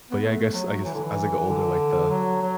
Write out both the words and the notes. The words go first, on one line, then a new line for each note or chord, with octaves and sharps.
But, yeah, I guess I guess as I get older, like, the
B3
A3
F#3
E3
D3
E3
D3
F#3
F#3